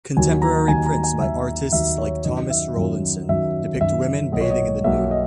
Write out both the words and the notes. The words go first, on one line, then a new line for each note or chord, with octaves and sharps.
Contemporary prints by artists like Thomas Rowlandson depict women bathing in the nude.
D#2 D#3 F#3 G#5
A#5
D#2 D#3 F#3 G#5
A#5
G#5
D#2 D#3 F#3 E5
D#2 D#3 F#3 E5
C#5
F#2 D#3 F#3 D#5
E5
F#2 D#3 F#3
F#2 D#3 F#3 E5
F#2 D#3 F#3 E5
B1 B2 A#3 D#5
C#5
D#5
B1 B2 A#3 E5
D#5